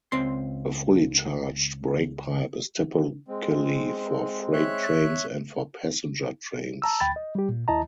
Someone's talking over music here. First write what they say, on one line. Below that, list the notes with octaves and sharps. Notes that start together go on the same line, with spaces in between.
A fully charged brake pipe is typically for freight trains and for passenger trains.
C#2 C4 C6
G#3 C4
C#5 E5 F#6
A5 A#5 E6
D2 G5 B5 A6
D#5
G3 G4
A#2
D#2 E4 D#5 A5 A#5